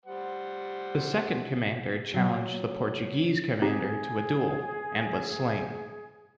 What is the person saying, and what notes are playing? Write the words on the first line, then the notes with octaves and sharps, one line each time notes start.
The second commander challenged the Portuguese commander to a duel and was slain.
G3 C5 F#5
F#3
C4 D#4 G4 G#4